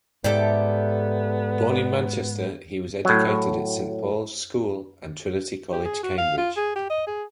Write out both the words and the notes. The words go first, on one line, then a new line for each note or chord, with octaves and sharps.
Born in Manchester, he was educated at Saint Paul's School and Trinity College, Cambridge.
G#2 B3 G4 A4 D5 E5
A2 F#3
G4
G#4
F#4
F5
F4
G#4
G4
D#5
G#4